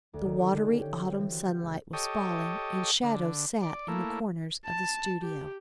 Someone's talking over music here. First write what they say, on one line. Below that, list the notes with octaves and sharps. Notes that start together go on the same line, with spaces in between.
The watery autumn sunlight was falling, and shadows sat in the corners of the studio.
D2
D#3
G4
D3
C#4
G5
C#5
C4
E3
F#4
G6
C#2
G4 A4 C#5 D#5
D3
D5
A3 A#3 E4
A5
G4